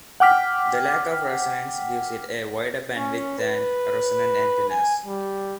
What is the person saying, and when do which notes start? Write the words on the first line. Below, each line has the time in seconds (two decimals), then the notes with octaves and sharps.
The lack of resonance gives it a wider bandwidth than resonant antennas.
0.20 F#5 G5 D6 F6 B6
2.97 C#4
3.39 B4
4.68 G#5
5.06 G3